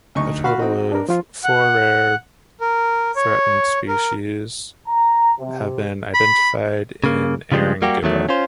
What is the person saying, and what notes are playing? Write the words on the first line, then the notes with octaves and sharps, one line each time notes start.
A total of four rare of threatened species have been identified in Erringibba.
D2 D#4 C#6
F#4 F5 B5 F6
C4 D#4
D4 A#4
F3 F4 C6
F#5
A#4
C#5
A#4
A#5
C3
B5
C#3 A#3
C#3 F3 G3 G#3
G3 A#3 F#4 G4
E2 D#3 F#3 A3
C#4 F4 C5